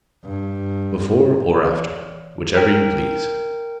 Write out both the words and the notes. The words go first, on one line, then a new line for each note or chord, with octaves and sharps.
"Before or after, whichever you please."
G2
E3 C#5 D5
A#4 G5